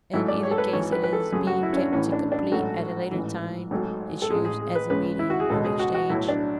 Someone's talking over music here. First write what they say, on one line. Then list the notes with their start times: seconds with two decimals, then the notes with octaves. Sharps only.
In either case it is being kept to complete at a later time its use as a medium of exchange.
0.13 G#2 F#3 A3 E4
0.28 D5
0.43 C#5
0.51 A4
0.58 B4
0.73 G#1 G#2 E3 C#5
0.92 B4
1.03 B4
1.13 A4
1.32 F#2 C#3 F#3 A3 G#4
1.47 F#4
1.63 E4
1.73 C#4
1.77 D4
1.92 A1 A2 E3 C#4
2.12 D4
2.32 D4
2.51 A1 G#2 F#3 A3 F#4
3.11 A1 G#2 E3
3.71 G#1 G#2 F#3 A3
4.22 A4
4.30 A1 A2 G#3 G#4
4.45 G#4
4.60 G#4
4.75 B4
4.90 C#2 C#3 G#3 B4
5.19 E4
5.30 F#4
5.40 G#4
5.50 C#2 B2 G#3 A4
5.65 G#4
5.79 F#4
5.94 F#4
6.10 B1 A2 F#3 E4
6.28 D4